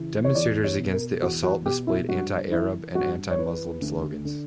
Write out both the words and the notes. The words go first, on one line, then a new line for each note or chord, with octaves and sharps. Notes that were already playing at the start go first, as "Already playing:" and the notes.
Demonstrators against the assault displayed anti-Arab and anti-Muslim slogans.
Already playing: C#3 E3
C#5
E2 D5
C#5
B2
A#4
E2 F#4
F#4
B2 G4
E4
G2 F#4
E3 E4
G2 F#4
C#5
E3 B4
D2
D3